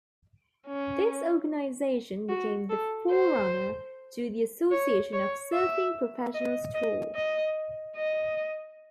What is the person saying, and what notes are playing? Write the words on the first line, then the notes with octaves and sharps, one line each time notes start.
This organization became the forerunner to the Association of Surfing Professionals tour.
C#4
F#4
A4
C5
C#5
C#5
E5
D#5
D#5
D#5
D#5